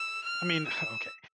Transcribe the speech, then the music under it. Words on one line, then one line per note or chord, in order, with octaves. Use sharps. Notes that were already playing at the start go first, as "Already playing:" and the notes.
I mean, okay,
Already playing: E6
F6
E6